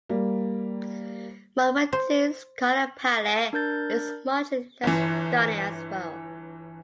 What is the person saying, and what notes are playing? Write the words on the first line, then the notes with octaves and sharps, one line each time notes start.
Malfatti's color palette is much less stunning as well.
G3 A#3
C5
D4 A#4 G6 A6
G1 E3